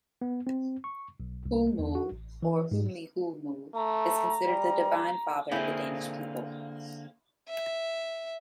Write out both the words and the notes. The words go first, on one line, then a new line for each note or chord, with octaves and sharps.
"Hulmul" or Humli-Hulmul, is considered the divine father of the Danish people.
B3
C4
C#6
B1
C2
E2
F#4
A1
E3
G#2
A3 A#5
G3
D3 A#3 C4 E4 G#4
E5